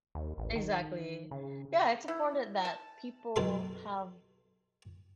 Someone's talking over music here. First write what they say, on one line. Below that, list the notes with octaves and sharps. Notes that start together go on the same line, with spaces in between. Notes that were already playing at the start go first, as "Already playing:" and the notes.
Exactly, yeah, it's important that people have
D#2
A1
D#3
C#3
E4
A5
B1 B2 A4 C6